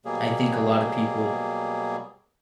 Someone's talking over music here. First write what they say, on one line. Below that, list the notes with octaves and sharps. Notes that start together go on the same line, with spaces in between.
I think a lot of people
B2 F#3 G3 A#3 G#4